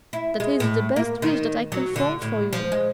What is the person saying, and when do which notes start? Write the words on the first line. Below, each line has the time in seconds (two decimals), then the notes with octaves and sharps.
That is the best wish that I can form for you.
0.13 E4
0.40 G#3
0.60 A2
0.96 A#3
1.22 D#3
1.72 F#3
1.96 D3
2.22 A2
2.53 F3
2.72 G#3